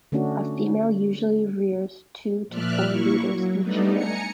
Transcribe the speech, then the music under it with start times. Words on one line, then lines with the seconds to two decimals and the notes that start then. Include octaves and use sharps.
A female usually rears two to four litters each year.
0.12 D3 A3 C#4 D4 F#4
2.47 A#2 F3 D5 E5 F6 F#6
2.86 A#3 E4 C#6
3.26 F#3
3.60 G3 A3 B3 D4 D#4
3.93 G#5 A#5 C#7